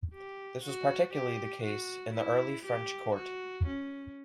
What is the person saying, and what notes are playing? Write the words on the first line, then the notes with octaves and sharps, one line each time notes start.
This was particularly the case in the early French court.
G4
F#4
G4
F#4
E4
G4
F#4
C#4